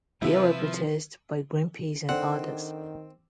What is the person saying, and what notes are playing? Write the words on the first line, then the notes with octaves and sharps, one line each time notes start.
There were protests by Greenpeace and others.
C3 D#3 F3 G3 E4 B4 E5
D#3 C4 D4 A4 D5 F#5